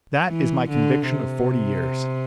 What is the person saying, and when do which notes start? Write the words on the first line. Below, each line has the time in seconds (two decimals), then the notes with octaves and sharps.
That is my conviction of forty years.
0.27 E3
0.70 D3
1.12 C3